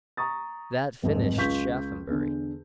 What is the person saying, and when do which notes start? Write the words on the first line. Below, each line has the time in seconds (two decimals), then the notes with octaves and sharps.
That finished Shaphambury.
0.17 A#5 C#6 D#6 A6
1.02 D1 G#1 F2 G#2
1.38 C#2 F4 C#6 G6 B6
2.07 E2 D3